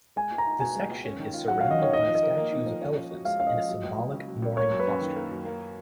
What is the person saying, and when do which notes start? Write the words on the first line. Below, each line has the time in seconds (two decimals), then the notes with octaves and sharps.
The section is surrounded by statues of elephants in a symbolic mourning posture.
0.16 G#3 G#5
0.32 C#2
0.38 A#5
0.46 D#4
0.60 B2 G#5
0.75 G#3
0.90 C#2
1.05 C#4
1.19 D#3
1.34 F4
1.48 F#3 F#5
1.60 C#4 F5
1.71 D#5
1.79 D#3 C#5
1.93 D#4 D#5
2.08 F3
2.15 D#5
2.23 A#4
2.37 A#3
2.52 D#4
2.66 F3
2.81 C#4
2.96 F3
3.10 F#4
3.25 G#3 F5
3.40 C#4 F5
3.47 D#5
3.54 F3
3.68 F#3
3.83 C#2
3.99 C#2
4.13 C#3
4.28 F#3
4.42 C#2
4.57 A#3 C#5
4.71 F#2
4.80 B4
4.87 C#4
5.01 D#3
5.16 A#3
5.31 F#2
5.45 A#3